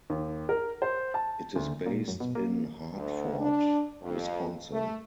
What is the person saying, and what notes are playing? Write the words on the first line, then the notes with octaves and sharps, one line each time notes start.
It is based in Hartford, Wisconsin.
D#2
A#4
C5
A5
D2
A#2
F#2
B2
A#3
D2
D4
F2
A3